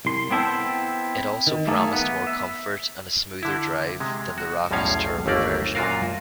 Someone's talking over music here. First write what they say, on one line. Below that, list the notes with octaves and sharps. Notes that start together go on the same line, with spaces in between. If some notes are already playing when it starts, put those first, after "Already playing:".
It also promised more comfort and a smoother drive than the raucous turbo version.
C2 C6
B3 C4 E4 A4 C5
D#3
A3 A#3 G#4 A4
B3
E5
D3 E4
C3 G#3
F#4
B1 E2 A2 F3 C#4 F5
G1 D#2 A3 A#3 D5
F#2 A#2 F4 F#4 A#4 F5